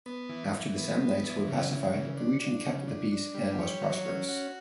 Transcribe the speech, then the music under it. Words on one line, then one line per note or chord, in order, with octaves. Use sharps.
After the Samnites were pacified, the region kept the peace and was prosperous.
B3
E3
E3
B3
B3
E3
C#3
E3
C#3
D4
D4
C#3
D4
D4
G3
C#5
F#3
C#4
F#4